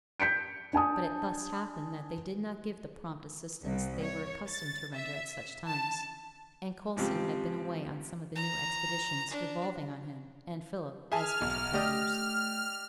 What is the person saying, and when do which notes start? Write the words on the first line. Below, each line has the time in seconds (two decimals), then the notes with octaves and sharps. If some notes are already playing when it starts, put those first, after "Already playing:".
But it thus happened that they did not give the prompt assistance they were accustomed to render at such times; and Coulson had been away on some of the new expeditions devolving on him and Philip as future partners.
0.20 G6 B6 C#7 D7
0.73 D4 G#5 A5 D#6
3.64 C2
4.00 C#5
4.48 A6
4.94 E5
5.67 A5
6.97 G#2 C#3 F3 G3 C4 G4
8.35 A#5
9.30 D4
11.12 G#4 E5 G#5 A5 F6
11.41 B1
11.74 A3 G4 D5 D#5